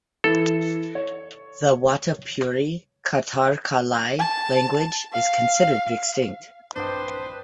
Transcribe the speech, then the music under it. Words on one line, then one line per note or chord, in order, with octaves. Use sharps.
The wotapuri-katarqalai language is considered extinct.
E3 A4
C#5
A5
F5
A#1 G2 C4 D4 B4 C5 D#5 G5